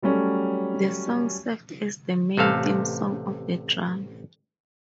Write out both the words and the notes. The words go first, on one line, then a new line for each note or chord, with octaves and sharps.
The song served as the main theme song of the drama.
F#3 G3 A3 C#4
A1 C3 A4 F5